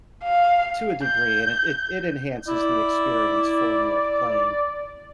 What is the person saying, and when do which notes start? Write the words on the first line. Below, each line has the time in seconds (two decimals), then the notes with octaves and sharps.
to a degree and it it enhances the experience for me of playing.
0.24 F5
1.02 G6
2.48 E4 D5